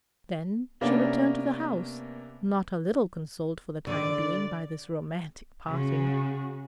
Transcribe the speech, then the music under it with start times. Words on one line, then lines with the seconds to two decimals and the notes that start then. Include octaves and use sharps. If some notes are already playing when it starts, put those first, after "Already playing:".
Then she returned to the house, not a little consoled for the time being by this romantic parting.
0.81 C3 A#3 B3 C#4 D4
3.87 D3 D5
5.67 C#3 F#4